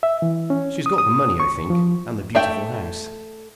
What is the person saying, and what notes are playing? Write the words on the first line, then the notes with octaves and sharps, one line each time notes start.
"She has got the money, I think--and the beautiful house."
E5
E3
C#4
D#6
D#6
C#6
F3
A3 E5 G5